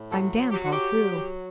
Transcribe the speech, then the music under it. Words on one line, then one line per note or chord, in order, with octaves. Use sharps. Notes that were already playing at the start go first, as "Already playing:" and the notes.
I'm damp all through.
Already playing: A2
F#3 A4
F#3 G4
F#4
G4
F#3